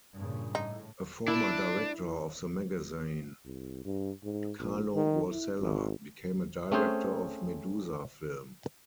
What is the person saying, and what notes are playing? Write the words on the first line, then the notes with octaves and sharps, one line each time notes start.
A former director of the magazine, Carlo Rossella, became a director of Medusa Film.
G2 A#2 C#3
A2 D#4
D4 E4
C2
G2
G#2
A#1
D#3
E4
G#1
A3 C4 C#4 G#4 C5